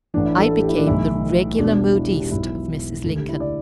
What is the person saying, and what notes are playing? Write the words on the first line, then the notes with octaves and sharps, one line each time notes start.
I became the regular modiste of Mrs. Lincoln.
A1 A2 E3 D4
E4
A4
A4
G4
E4
D4
B1 A2 E3 E4
E1 E2 B2 D4
E4
G4
G4
B1 B2 E4
D2 D3 A4
G4
E4
D5